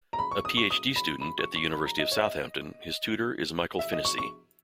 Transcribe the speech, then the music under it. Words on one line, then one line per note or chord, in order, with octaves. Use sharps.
A Phd student at the University of Southampton, his tutor is Michael Finnissy.
A#5
B5
C#6
D#6
C#6
D#6
B5
B5
C#6
C#6
B5
A#5
D#5
C#5
E5
D#5
E5
D#5
C#6
C#6